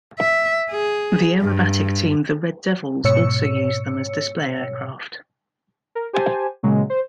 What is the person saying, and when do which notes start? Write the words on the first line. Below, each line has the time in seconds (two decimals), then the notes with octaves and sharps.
The aerobatic team The Red Devils also used them as display aircraft.
0.19 E5
0.71 G#4
1.41 G2
3.04 G#2 B2 C#5 E6 C#7
5.95 A#4
6.13 G4 C5 G#5 A5
6.63 A#2 C#3 F#3 G#3
6.90 C5